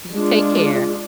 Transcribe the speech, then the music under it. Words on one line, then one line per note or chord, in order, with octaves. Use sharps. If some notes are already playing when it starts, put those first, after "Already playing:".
So you take care.
G#3 D4 F4